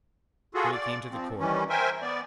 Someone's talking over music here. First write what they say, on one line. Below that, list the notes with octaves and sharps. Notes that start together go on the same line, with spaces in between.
So he came to the court ...
F4 F#4 G#4 A4
D5
F3 C4
D#3 E3 G3 C#4
A#4 C5 E5 G5 G#5
B3 D5